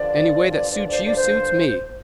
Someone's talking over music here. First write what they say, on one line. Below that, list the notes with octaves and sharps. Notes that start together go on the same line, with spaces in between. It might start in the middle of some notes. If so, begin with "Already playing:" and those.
Any way that suits you suits me.
Already playing: G2 D3 F3 D5
C5
D5
C5